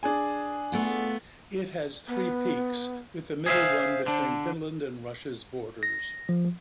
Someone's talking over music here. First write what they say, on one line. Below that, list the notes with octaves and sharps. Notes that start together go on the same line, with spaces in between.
It has three peaks, with the middle one between Finland and Russia's borders.
D4 G#4 G#5
A3 B3 F4
B3
G#4 C5 E5 F5
D3 D4
A#6
F3